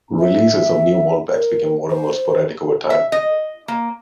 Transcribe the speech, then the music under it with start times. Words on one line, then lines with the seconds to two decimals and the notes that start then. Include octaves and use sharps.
Releases of new mold packs became more and more sporadic over time.
0.19 E5
1.34 A#4
1.90 C5
2.90 E5
3.12 D#5
3.68 A#3